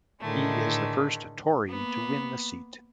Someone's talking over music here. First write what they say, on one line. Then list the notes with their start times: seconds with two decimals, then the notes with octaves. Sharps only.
He is the first Tory to win the seat.
0.22 A2 D3 D#3 G#3 A3
1.69 A#3 B3